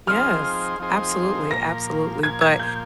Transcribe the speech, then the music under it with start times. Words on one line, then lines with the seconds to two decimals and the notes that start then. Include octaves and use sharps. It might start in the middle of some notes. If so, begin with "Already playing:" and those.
Yes. Absolutely, absolutely, but
0.07 F3 C4 D#4 G#4 C5 F6
0.79 F3 C4 D#4 G#4 C5
1.51 A#2 F3 A#3 A#6
2.23 A#2 F3 A#3 G#6
2.41 G#6
2.59 G6